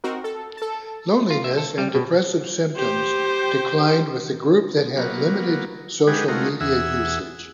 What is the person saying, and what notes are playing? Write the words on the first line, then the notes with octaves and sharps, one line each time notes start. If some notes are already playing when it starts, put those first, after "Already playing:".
Loneliness and depressive symptoms declined with the group that had limited social media usage.
C4 D#4 F#4 A#4
A4
A4 A5
F4
E5
A4
G3
B2
G4 C5
F#3 A#3 B3
G#3 D#4 G4 G#4 B4 F#5
G#3 A3 D#4 F4 F#4 A#4
E2 G#4 E5 F#5 E6